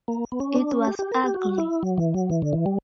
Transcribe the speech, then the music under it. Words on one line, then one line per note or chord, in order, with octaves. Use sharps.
It was ugly.
A#3
B3
C#4
D4
C#4
G4
G4
A#4
G4
F#4
E4
F#3
E3
F#3
E3
D3
E3
G3